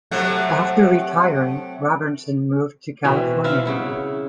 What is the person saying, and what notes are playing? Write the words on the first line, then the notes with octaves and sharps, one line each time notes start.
After retiring, Robertson moved to California.
C3 F#3 A3
B2 E3 C4
E4 E5 F5
C#3 E4 F#5